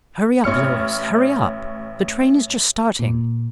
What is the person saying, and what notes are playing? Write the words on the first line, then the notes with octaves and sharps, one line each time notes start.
Hurry up, Lois; hurry up! the train is just starting!'
A1 C#5 F6 C#7
A#2